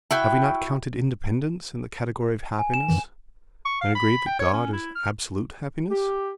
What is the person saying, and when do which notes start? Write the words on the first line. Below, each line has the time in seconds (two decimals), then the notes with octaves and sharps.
Have we not counted independence in the category of happiness, and agreed that God is absolute happiness?'
0.11 E4 F#4 G5
2.59 G#5
2.74 E7
2.88 F#2 D#3 E3
3.65 C#6
3.81 F5
3.95 B5
4.27 G5
4.40 C#5
4.53 C#4
4.73 E4
4.95 F6
5.89 G4